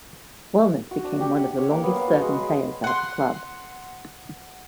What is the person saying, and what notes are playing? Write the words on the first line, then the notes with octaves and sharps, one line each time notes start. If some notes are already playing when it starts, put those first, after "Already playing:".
Wilnis became one of the longest-serving players at the club.
F#4
D4
G4
F#5
C#5
A#3
B3
F5
F#4
G#3
B4
F#5 C6